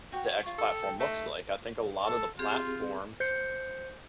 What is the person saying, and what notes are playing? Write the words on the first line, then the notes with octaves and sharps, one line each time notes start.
the X platform looks like. I think a lot of the platform
F#4 G4 G5
F4 C#5
G4 A4 D#6
G5
A3 D#4
A4
C4 F4 G4 G#4
C5 G6 C7 C#7